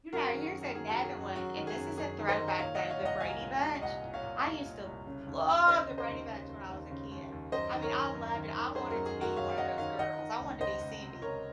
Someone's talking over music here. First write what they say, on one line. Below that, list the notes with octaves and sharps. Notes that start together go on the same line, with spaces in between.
You know, here's another one, and this is a throwback, though, The Brady Bunch. I used to love The Brady Bunch when I was a kid. I mean, I loved it I wanted to be one of those girls, I wanted to be Cindy,
F#2 F#4 A#4
G#4
D#3
F#4
F#2
F#4
D#3 G#4
F#4
F#2
G#4
F#2 F#4
F#2 F#4
D#3
G#4
F#2
F#2 G#4
D#3
C5 D#5
D#3
D#5
A#2 C#5 F5
A#2 D#5 F#5
C#5 F5
C2 D#5 F#5
C2 F5 G#5
A#2
C2
C2 D#5 F#5
A#2
C#5 F5
A#2
C2
A#2
C2
C#3
D#2
D#2
C#3 C5 D#5
C#3
C5 D#5
D#2
C#3
D#2
D#2
C#3
D#2
D#2
F#2 C5 D#5
D#3
A#4 C#5
F#2
F#2
D#3
D#3
F#2 G#4 C5
F#4 A#4
F#2
G#4
D#3 F#4 A#4
F#2 C#5 F5
F5
F#2 D#5 F#5
D#3 C#5 F5
D#3 D#5 F#5
D#3
C#2
C#2 C5 D#5
C#2
C3
C#2 A#4 C#5